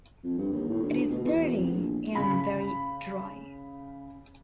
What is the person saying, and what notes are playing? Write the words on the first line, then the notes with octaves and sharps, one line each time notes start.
It is dirty and very dry.
F2
G2
D#2
A2
D2
B2
E2
F1
A#1
C#3 B5